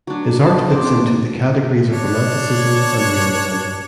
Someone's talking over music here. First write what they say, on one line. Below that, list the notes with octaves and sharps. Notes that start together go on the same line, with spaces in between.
His art fits into the categories of romanticism and realism.
F#3 D4
A5
D4 C5 D5
C4 B4
A#3
D4 C#5